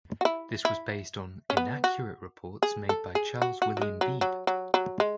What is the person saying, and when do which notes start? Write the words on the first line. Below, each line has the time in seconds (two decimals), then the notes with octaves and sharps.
This was based on inaccurate reports made by Charles William Beebe.
0.21 F#4
0.25 E4
0.65 E4
1.50 C#4
1.57 B3
1.84 F#4
2.63 G#4
2.89 A4
3.15 G#4
3.42 F#4
3.62 F#4
3.77 F#3
3.82 G#3
4.01 F#3
4.21 F#3
4.47 F#3
4.74 F#3
5.00 G#3